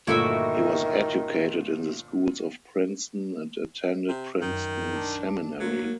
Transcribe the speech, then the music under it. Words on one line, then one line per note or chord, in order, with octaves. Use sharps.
He was educated in the schools of Princeton and attended Princeton Seminary.
G1 A#2 D#3 A3 E4 F#4 E5
C3
F#2 D#3
D4
F#3 A#3